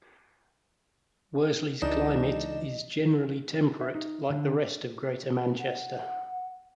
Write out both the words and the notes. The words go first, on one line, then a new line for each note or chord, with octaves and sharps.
Worsley's climate is generally temperate, like the rest of Greater Manchester.
C#2 E3 D4 D#4 D#5 E7
E5
D#4
D3
F#5